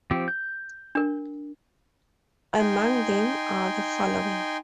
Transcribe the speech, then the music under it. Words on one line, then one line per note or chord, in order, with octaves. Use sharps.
Among them are the following.
F3 C4 G4
G6
D4 A#4
D#4 G5 G#5 C6